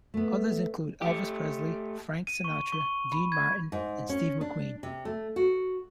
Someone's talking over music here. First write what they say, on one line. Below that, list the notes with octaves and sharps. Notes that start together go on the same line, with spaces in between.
Others include Elvis Presley, Frank Sinatra, Dean Martin, and Steve McQueen.
A3 B3
A3 G4
D#7
C#6
C#6
B5
G#6
G#2
C#4
D4
C3
A3
F#4